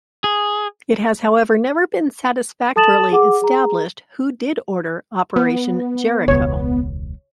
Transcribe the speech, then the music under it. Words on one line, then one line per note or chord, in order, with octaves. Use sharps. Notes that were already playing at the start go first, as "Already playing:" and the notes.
It has however never been satisfactorily established who did order Operation Jericho.
G#4
A4 A5 D#6 A6 E7 F#7
G#4 F#5 D6
G#4 A#5
B3
E1 C#2 C#5